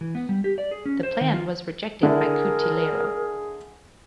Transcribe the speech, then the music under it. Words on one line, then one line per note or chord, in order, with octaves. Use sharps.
This plan was rejected by Cutileiro.
E3
B3
G3
G4
D5
G#4
C#4
C5
D#3
F4
D3 E4 G#4 A#4